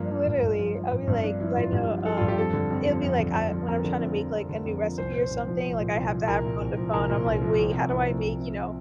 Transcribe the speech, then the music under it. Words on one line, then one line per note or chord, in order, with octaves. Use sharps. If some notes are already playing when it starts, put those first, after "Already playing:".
Literally. I'll be like 'cause I know, um, it'll be, like, I when I'm trying to make, like, a new recipe or something, like, I have to have her on the phone, I'm like, "Wait, how do I make, you know,
Already playing: G2 F3 A#3
F3
G2
G2
F3
F3
G2
G2 C4
F3 D4
F3 E4
G2 F4
G2 G4
F3
F3 A4
G2 F4
G4
F2 A4
D3
F2
F3
F2
D3
F2
F3
F2 A#4
D3
F2
F3
F2
D3
F2
F3
C2 C5
A#2
C5
C2
F3
C2
A#2
C2
F3
C2 A#4
A#2
C2
F3
C2 A#4
A#2
C2
F3
C2
C3
C2
F3
C2
C3